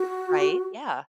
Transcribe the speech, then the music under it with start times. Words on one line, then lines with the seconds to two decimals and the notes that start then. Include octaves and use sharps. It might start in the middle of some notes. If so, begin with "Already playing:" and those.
Right, yeah.
Already playing: F#4